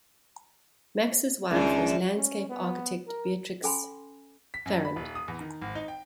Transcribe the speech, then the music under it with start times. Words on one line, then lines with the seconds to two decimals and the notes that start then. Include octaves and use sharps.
Max's wife was landscape architect Beatrix Farrand.
1.51 C#2 F#2 D#3 D4
2.16 C#4
2.49 B3
3.07 A#4
3.63 C#4 A4 G#5 B5 C6
4.54 B6
4.66 F#2
4.85 B5
4.96 D#1
5.15 D#6
5.28 E2
5.40 D#3
5.62 G#1
5.75 D#4
5.88 G5